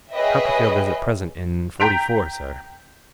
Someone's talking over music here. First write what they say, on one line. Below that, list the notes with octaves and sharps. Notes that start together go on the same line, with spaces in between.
Copperfield is at present in forty-four, sir.'
G#4 B4 C#5 D#5 E5 G5
G5 A#5 G6 B6 D7 F7